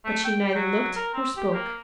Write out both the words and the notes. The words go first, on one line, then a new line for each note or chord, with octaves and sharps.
But she neither looked nor spoke.
A3
G5
F#3
A#4
C4
G4
A#3